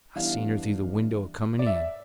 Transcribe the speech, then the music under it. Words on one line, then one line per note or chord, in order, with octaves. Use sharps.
I seen her through the window a-comin' in.
E3 G3 B3 D4 F5
D5
E5